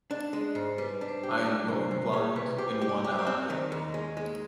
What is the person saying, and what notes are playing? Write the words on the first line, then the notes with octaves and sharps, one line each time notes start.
I am going blind in one eye.
D4 D#5
G#3 D#5
G#2 C5
G3 B4
D4
C5
G4
D5
D4
C2 C5
C2 C5
G3 G#4
C2 B4
G4 C5
G4
D5
G4
C5
D5
C4
D#3 D#5
D#2
G#3
G#3